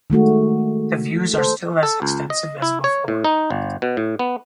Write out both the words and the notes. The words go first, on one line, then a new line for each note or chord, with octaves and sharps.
The views are still as extensive as before.
D#3 G#3 A3 F#4
A4 C5
A4
C#2
D#5
E4
C#5
A2
D#4
G1
B2
A2
B3